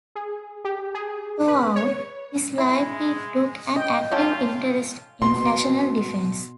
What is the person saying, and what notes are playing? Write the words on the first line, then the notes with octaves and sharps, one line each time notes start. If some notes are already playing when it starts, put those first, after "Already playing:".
Throughout his life he took an active interest in national defence.
G#4
G4
G#4
B4
C#5
G#3 E4
D#5 G5
C#4 F4 A4 G5
B2 C6